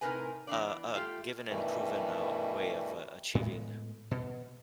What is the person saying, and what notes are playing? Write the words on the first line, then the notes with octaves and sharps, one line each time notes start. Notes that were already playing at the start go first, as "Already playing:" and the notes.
a a given and proven, uh, way of a achieving,
A2 C3 D#4 A#4 B4 G#5
E3 B3 D4 D5
A3 F4 G4
G2 B2 D#3 E3 G3 A3
A2 G#3 B3
B2